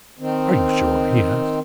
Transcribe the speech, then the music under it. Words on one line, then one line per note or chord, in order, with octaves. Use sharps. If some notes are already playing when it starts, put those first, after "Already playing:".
"Are you sure?" he asked.
D#3 C4